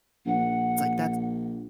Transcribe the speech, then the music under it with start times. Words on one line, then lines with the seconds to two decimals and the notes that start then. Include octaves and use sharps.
It's like, that's
0.26 A#1 F#5